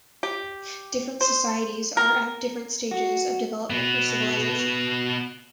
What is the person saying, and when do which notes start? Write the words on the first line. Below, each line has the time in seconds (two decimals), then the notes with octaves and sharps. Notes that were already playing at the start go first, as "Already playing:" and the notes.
Different societies are at different stages of development or civilisation.
0.23 G4
1.21 C5
1.97 A#4
2.91 F#4
3.70 B2 B3